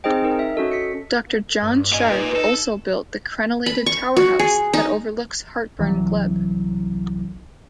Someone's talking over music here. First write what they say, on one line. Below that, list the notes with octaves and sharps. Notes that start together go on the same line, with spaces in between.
Doctor John Sharpe also built the crenellated Tower House that overlooks Hartburn Glebe.
C4 D#4 G#4 C5 D#5 G5
D#4 A#4
E5
C#4 F#4 A4 D#5
B6 C#7
G2
A#2 D#5 G#5
D#4 B4
A4
B5
C#6
F#4
G#4
D#4
C2 E3 F#3